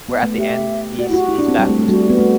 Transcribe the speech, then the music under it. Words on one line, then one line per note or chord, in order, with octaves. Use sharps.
where at the end, he's he's back with his
B3
A3
G4 E5
F#4 D5
E4
F#4
G4
E4 G4
D4
C4
G3
A3
A3
G3 F#4
B3
A3